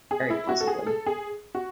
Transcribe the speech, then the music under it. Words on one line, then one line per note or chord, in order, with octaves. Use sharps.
Very possibly.
G#4
E4
F#4
A4
G#4
A4
G#4
F#4